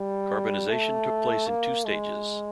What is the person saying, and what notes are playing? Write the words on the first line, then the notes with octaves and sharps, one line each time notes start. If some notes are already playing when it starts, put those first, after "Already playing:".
Carbonisation took place in two stages.
Already playing: G3
A3
A#3
G#3